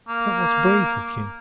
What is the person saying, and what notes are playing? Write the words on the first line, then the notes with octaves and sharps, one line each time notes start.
"That was brave of you."
A#3